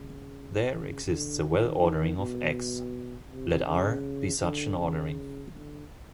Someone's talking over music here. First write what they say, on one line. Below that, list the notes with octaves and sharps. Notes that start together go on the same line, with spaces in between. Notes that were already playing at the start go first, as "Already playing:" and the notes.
There exists a well-ordering of "X"; let "R" be such an ordering.
Already playing: C#3
C#3
D3
D#3
D#3
B2
C3
C#3
D3
C#3
D3